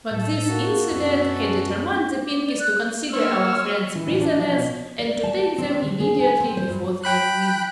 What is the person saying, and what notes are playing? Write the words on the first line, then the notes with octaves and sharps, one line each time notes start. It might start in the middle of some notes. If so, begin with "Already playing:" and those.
But this incident had determined the Pinkies to consider our friends prisoners and to take them immediately before their Queen.
A2 A4
A#3 F#4
F#2 B2 C#4 A4
D6
D5
F#6
A#3 C5 C#5 E6 F6
E3
A1
D4
F3
B2
D5
A5
C4
D3
G#4
G#5
C4
C5
G2
G5 B5 F#6